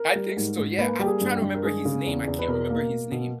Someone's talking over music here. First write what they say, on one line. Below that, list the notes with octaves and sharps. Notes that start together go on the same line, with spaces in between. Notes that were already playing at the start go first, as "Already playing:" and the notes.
I think so, yeah. I'm trying to remember his name, I can't remember his name.
Already playing: A#4
G3
G#2
G#2
A#3 B4
G3 G4
G#4
G2
G4
G2
A#4
G#3 G#4
C#3
E2
E2
B4
B2 A#4
A#3
A#3
B2